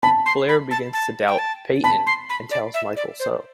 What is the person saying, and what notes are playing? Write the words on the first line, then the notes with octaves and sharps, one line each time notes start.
Claire begins to doubt "Peyton" and tells Michael so.
A5 B5
C6
B5
A5
A5
G5
A5
A5 B5
C6
B5
D5
E5
D5
C5